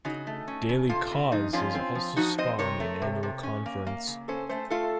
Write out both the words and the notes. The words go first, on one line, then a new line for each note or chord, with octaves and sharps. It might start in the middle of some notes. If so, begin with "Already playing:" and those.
Daily Kos has also spawned an annual conference.
C#3 D#4 F#4
A3
C#4
C#3
C3 F4 A4
C3
F2 D#4
F2 C#4 F4
C4
F3
F3 D#4 F#4
C4 C5 D#5
C3 A#4 C#5
A3
C3
C3
C#4
A#3
A#3
C#3
C#4 A4 C5
A3 A4 C5
A3 F4 A4